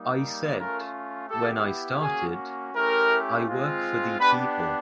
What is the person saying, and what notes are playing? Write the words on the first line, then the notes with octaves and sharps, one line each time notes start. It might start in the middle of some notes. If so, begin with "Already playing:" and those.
I said, when I started, I work for the people.
Already playing: G3 A#3 D#4
A3 C#4 F4 A#4
B3 E4 G4 A4
A#3 C#4 F#4 G#4
A3 C#4 E4 G4 A#4
G#3 C4 F4
B3 D4 G4 B4